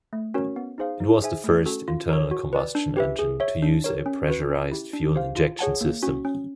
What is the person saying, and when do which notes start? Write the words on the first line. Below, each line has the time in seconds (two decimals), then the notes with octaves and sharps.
It was the first internal combustion engine to use a pressurised fuel injection system.
0.13 A3
0.34 C#4 F#4 A#4 C#5
0.56 B3
0.78 D#4 G#4 C5 F5
1.00 D#4
1.22 G#4 C5 E5 G#5
1.44 A3
1.66 C#4 F#4 A4
1.88 F4
2.09 A#4 C#5
2.31 F#4
2.53 B4 D5
2.75 D4
2.97 G4 B4 E5
3.19 G#4
3.40 C#5 E5
3.62 D4
3.84 G4 A#4 C#5
4.06 C#4
4.28 F#4 B4
4.49 C#4
4.72 E4 G4
4.93 D4
5.15 G4 C5 F5
5.37 F4
5.59 G#4 C#5 F#5 A5
5.81 A#3
6.03 C#4 F#4
6.25 C#4